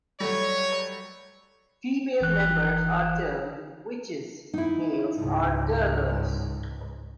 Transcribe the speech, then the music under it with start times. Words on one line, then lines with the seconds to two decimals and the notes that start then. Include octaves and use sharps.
Female members are termed 'Witches', males are 'Dirgers'.
0.20 F#3 G3 A3 C#5
2.20 G1 E3 F#6
4.54 D#4 E4
5.15 C#2 G#2